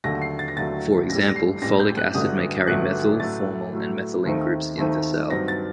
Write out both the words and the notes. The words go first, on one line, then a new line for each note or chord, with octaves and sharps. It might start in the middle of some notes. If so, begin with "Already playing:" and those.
For example, folic acid may carry methyl, formyl, and methylene groups in the cell.
D#2 D3 F#3 A3 A#6
C7
A6
A#6
D#2 D3 F#3 A3 A6
A1 A2 G3 A#6
A#6
C7
A1 A2 G3 A#6
G6
F#6
A1 G2 D3 F#3 A3 D#6
A1 G2 D3 F#3 A3 F#6
A2 F#3 A3 A6
A2 F#3 A3
D#2 D#3 A3 C4 D#4
D#2 D#3 A3 C4 D#4
G2 F#3 C4 D#4 A#6
A6